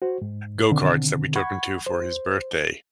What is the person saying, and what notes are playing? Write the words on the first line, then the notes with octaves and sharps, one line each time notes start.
go-karts that we took him to for his birthday.
F#4 C5
G#2
B2 D3 D#3 C4
F#5 B5 C#6 G#6
C5